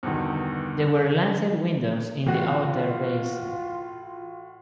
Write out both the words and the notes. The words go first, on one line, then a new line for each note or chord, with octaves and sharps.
There were lancet windows in the outer bays.
E2 G2 B2 D3 D#3
A2 E3 F4 F#4